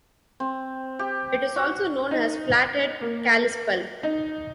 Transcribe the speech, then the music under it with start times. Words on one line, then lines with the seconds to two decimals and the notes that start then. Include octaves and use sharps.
It is also known as Flathead-Kalispel.
0.40 C4
0.99 G4
1.56 F#4
2.11 D#4
3.01 A#3
4.03 D#4